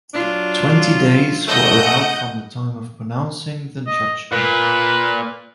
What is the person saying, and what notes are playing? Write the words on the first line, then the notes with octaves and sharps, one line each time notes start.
Twenty days were allowed from the time of pronouncing the judgment.
F#3 D4 F4
A3 D#5 F#5 G6
D#5
A#2 B4